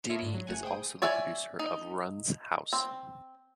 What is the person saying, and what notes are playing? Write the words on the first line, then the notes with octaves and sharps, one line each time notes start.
Diddy is also the producer of "Run's House".
E4 F4 A4 C#5 D#5 E5
G#2 D3
F#3
G1 A3 F#5 G#5
G#4 C5 G5 D#6
C#5 D5 E5 G#5
D#4
C4